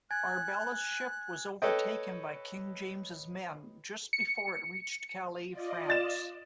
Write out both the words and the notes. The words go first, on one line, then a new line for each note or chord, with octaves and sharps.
Arbella's ship was overtaken by King James's men just before it reached Calais, France.
G#5 F#6 G#6 A6
A4 B4 C#5 D#5 G5
C#7
F4 D5 D#5
A6 E7